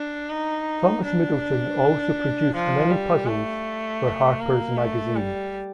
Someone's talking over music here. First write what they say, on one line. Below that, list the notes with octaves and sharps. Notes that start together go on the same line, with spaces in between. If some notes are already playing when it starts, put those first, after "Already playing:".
Thomas Middleton also produced many puzzles for "Harpers Magazine".
Already playing: D4
D#4
D4
F3
G3
A3
A#3
A3
G3